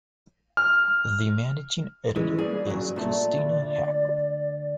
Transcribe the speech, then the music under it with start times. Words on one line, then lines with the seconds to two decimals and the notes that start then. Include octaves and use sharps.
The managing editor is Kristina Hacker.
0.57 F6
2.16 E3 G#3 C#4
2.38 G3 A#3 G#4 D5
2.66 G2 F#3 C#4
2.96 A#2 A3 D5
3.37 D2